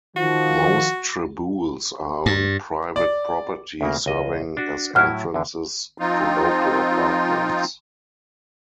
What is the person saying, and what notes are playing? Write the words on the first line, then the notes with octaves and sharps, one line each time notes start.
Most traboules are on private property, serving as entrances to local apartments.
D#3 F3 F#4
G2
D5
D2 C#3 A#3
C#2 D#5
D4 F#4
A2 F#3 E4 F#5 F6 F#6
E2 D3
F3 C4 D#4 F4